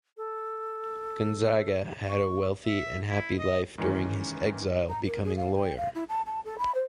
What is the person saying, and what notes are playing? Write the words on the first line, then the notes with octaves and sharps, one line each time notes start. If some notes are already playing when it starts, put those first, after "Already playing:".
Gonzaga had a wealthy and happy life during his exile, becoming a lawyer.
A4
C#6
E5
E4
D#5
G#2 D#3 E3 C#4
A#5
A#4
G#4
F5
G5
F5
E4
A5
A5
A4
B5
C5